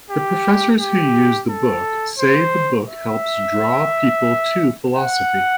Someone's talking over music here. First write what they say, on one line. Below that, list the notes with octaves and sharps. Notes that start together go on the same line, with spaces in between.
The professors who use the book say the book helps draw people to philosophy.
G4
G4
A4
C5
E5
F#5